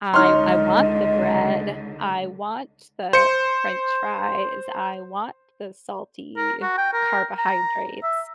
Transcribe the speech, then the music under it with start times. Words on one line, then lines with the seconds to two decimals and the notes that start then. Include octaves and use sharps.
I I want the bread, I want the french fries, I want the salty carbohydrates.
0.14 C#2 D3 D#4 C#5 D#5 C6 F6
3.13 C5 C#7
6.37 A#4
6.62 F#4
6.78 G5
6.93 A#4
7.38 A#5
8.03 E5